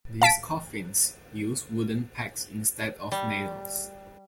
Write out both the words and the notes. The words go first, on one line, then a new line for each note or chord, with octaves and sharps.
These coffins use wooden pegs instead of nails.
F5 A5 B6 D7
G3